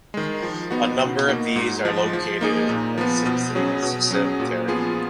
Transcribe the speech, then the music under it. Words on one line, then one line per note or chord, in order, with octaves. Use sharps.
A number of these are located in Assistens Cemetery.
D#3 G#3
F3
B3 D#4 F#4
B2
A#3 D#4 F#4
G#2
F3 G#3
F3
A#3 D#4 G#4
A#2
F3 B3
B2
F#3 C#4 G#4
B2
F#3 C#4 G#4
A#2
F3 B3 F4 G#4